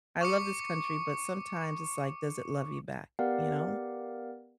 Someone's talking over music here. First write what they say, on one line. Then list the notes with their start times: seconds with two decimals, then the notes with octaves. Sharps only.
I love this country, but sometimes it's, like, does it love you back? You know?
0.21 C#6 D6 C#7
3.19 B3 G4 A#4 D5 F5 F#5